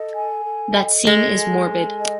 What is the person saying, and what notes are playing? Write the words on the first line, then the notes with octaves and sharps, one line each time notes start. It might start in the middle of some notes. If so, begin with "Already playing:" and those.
That scene is morbid.
Already playing: A4 D#5
G#5
A4
D#5
G#3 A4
G#5
A4
D#5